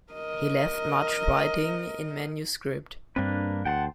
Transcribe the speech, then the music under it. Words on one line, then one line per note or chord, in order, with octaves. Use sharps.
He left much writing in manuscript.
A#4 D#5
G2 A#3 C4 D4 B4
D2 F#5 G5 A5 C6